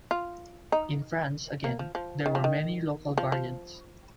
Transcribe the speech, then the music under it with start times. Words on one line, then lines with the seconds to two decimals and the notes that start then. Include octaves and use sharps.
In France, again, there were many local variants.
0.11 F4
0.72 D#4
1.64 A#3
1.79 F3
1.95 F3
2.26 D#3
2.35 F3
2.44 D#3
3.18 F3
3.32 F3